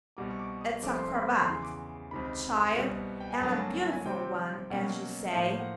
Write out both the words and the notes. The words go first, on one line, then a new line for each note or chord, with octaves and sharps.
'It's a cravat, child, and a beautiful one, as you say.
C2 B2 G3 D6
C#6
D6
D#6
C2 C3 F3 A3 D6
C6
B5
C6
E2 C#3 E3 C6
D6
C#2 C3 D#3 B5
C2 B2 G3 B3
G5
G#5
G2 D3 F#3 A#3 A5
A5
G#5
A5
G#5
C3 D#3 G3 C4 G5
B2 F#3 A#3 C#4
E5
A2 F3 A#3 F5
F#5